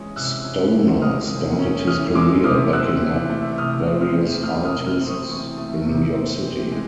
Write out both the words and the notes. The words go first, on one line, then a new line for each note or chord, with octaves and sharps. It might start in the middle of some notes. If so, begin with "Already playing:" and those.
Stoner started his career backing up various artists in New York City.
Already playing: E3 G#3 C#4 D#6
C3 E6 F#6
C#4
E3
G#3 D#6 F6
C3
C#4
E3 D#6 F6
G#3 D6 E6
C3 D#6 F6
C4 E6 F#6
E3
A3
C3 D#6 F6
C4
D#6 F6
E3
A3 D#6 F6
D#6 F6
C3
D#6 F6
C4
C#6 D#6
E3 C#6 D#6
A3
C3
C4
E3
G#3